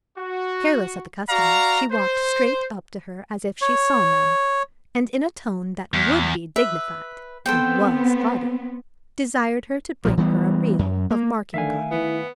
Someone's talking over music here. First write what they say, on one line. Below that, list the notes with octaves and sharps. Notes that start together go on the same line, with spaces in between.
Careless of the customer, she walked straight up to her as if she saw none, and in a tone that would be dignified, and was haughty, desired her to bring her a reel of marking-cotton.
F#4
F#4 D5 F5 A#5
C5
C#5
E2
B4 E5
B3 C4 A4 C5 G5
A#1 A#2 F3
E3 G3 B3
F#2
A#3
D3 D#3 A3 E5 F5 G#5
B3 E4